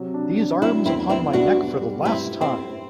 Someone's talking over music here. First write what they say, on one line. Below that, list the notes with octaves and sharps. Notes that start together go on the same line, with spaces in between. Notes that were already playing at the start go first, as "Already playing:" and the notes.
These arms upon my neck for the last time!
Already playing: C3 F#3
D4
D4
F#3 C4 E4
E2 C4 E4
B3 C4 E4
G3 D4 F#4
B2
G3
G2 C4 E4
G3
C4 E4
G3